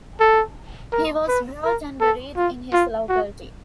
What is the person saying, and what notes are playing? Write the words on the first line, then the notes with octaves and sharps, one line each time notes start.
He was brought and buried in his locality.
A4
A#4
B4
A#4
A4
F4
F4
F#4